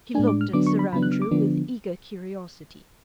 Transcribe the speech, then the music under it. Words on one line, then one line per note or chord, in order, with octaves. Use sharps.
She looked at Sir Andrew with eager curiosity.
A2 G#3 D4 G#5
D6
F6
D3 F#3 B3 D4 D6
C#6
B5
C#3 F#3 B3 D4 B5
F#6
F6
D6
D3 F3 B3 D4